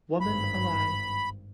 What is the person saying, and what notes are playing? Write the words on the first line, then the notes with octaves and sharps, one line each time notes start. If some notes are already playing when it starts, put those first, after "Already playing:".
Woman Alive!
G#1 G2 B5